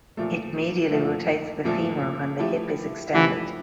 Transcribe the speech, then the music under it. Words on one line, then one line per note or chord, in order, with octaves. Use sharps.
It medially rotates the femur when the hip is extended.
A#2 F3 A3
A#2 F3 A3
A#2 F3 A3
F3 A3 E4 G4
E3 F3 A3 E4 G4